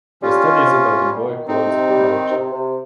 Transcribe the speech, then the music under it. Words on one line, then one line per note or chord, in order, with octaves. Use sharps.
The story is about a boy called Mangchi.
G3 C#4 F4
D#3
C3
C3
G3
D#3
C3 C4 D#4
C3
G3
D#3
C3
C3